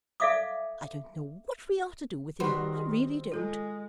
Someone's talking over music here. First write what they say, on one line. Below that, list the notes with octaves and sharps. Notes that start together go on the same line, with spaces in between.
I don't know what we are to do with him, I really don't.'
A4 D5 E5 F5 D6 D#6
D#3 G3 C4 F#4 B4
G#3 F4 A4